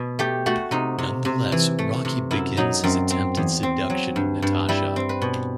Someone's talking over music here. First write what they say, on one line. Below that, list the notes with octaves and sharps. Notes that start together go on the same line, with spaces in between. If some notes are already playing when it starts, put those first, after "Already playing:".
Nonetheless, Rocky begins his attempted seduction of Natasha.
Already playing: B2
A3 G4
A3 F#4
C3 D#4
C3
C3
E3
A3
C3
F#2 E4
F#3 D#4
F#2 C4
C4
E2
C4
F#3
G2
G2
G3 E4
C4
B4
B2